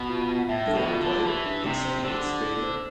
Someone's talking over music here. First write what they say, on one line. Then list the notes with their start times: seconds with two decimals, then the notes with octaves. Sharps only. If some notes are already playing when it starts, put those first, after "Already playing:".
You wanna play...Aces and eights, baby?
Already playing: B2
0.10 F4
0.29 A5
0.49 A2 E5
0.68 A4
0.75 B2
0.88 F4
1.01 D3
1.07 A5
1.26 E3 G4
1.46 D4
1.65 C3 A3
1.85 C5
2.04 D3 G4
2.23 D4
2.43 A3
2.63 C5